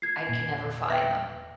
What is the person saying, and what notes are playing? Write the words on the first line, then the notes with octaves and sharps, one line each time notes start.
I can never find them.
G#6 C7
E1 A#2 G#5
B4 E5 G5